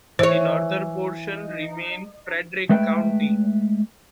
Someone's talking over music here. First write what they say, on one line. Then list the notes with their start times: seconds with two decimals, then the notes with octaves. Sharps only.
The northern portion remained Frederick County.
0.19 E3 C5 C#5
2.69 G#3 A3 B4 E5 F5 G5